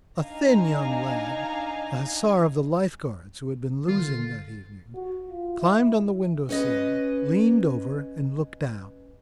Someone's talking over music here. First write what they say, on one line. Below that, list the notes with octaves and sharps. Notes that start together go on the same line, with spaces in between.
A thin young lad, an hussar of the Life Guards, who had been losing that evening, climbed on the window sill, leaned over, and looked down.
D4 D#4 D#5 F5 G#5 A#5
D3 F4
F#4
F4
E4
C#4 B4 D#5